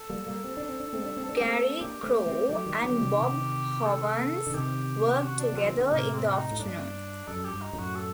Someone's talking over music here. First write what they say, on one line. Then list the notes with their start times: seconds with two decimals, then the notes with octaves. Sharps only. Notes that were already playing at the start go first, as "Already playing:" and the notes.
Gary Crow and Bob Hovanes worked together in the afternoon.
Already playing: A4
0.10 G3 A#3
0.27 G3 A#3
0.44 C4
0.57 D4
0.69 C4
0.80 D4
0.93 C4
1.05 D4
1.17 C4
1.24 D4 A4
1.36 A3 C4 G4
1.48 A4
1.81 A#3 D4 G4
2.03 A3 C4
2.26 A3 C4
2.49 F#3 A3 G4
2.66 D#3 G3
2.83 D3 F#3
3.00 C3 D#3
3.18 C3 D#3
3.85 A4
4.47 D3
4.54 C3 D#3 G4
5.23 F#4
5.39 D4
5.53 F#3 C4
5.66 D#3
5.79 D3
5.91 A2 C3 A#3
6.14 C4
6.28 F#4
6.36 D#4
6.51 A2
6.59 G2 D4
7.28 F#2 A4
7.44 G4
7.51 G2
7.62 D#4
7.73 F#2 A2
7.79 F#4
7.96 A4